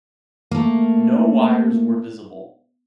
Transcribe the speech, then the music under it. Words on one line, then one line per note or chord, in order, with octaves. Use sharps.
No wires were visible.
A3 A#3